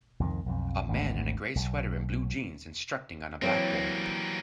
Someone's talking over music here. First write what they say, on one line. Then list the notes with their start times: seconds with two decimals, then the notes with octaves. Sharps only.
A man in a gray sweater and blue jeans instructing on a blackboard.
0.20 C2 F2 D3 D#3
0.46 B1 F2
0.88 G#1 D2
1.55 B1
3.42 E3 F#3 G3 A#3 C4